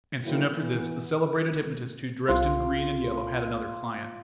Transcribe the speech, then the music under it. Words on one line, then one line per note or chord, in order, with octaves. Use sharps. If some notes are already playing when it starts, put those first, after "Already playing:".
And soon after this the celebrated hypnotist who dressed in green and yellow had another client.
D#3 E3 F#3 A#3 C4 E4
E3 B3
C2 F4